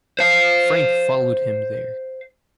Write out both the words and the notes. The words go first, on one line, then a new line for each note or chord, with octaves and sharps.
Frank followed him there.
C5 F5